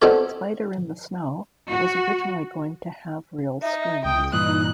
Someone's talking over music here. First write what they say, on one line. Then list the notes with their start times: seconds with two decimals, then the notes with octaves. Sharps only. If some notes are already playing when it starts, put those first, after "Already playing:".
"Spider in the Snow" was originally going to have real strings.
0.02 B3 C4 D#4 G4 A4 D5
1.70 F#4
3.62 D#4 E5
4.05 C#2 G5 D#6
4.33 G2 A#2 E3 D#4 D#6 F#6